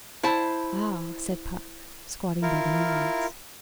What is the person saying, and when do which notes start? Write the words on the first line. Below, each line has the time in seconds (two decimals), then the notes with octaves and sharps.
'Ah!' said Puck, squatted by the windlass.
0.23 E4 C5 A5
2.42 E4 F4 A#4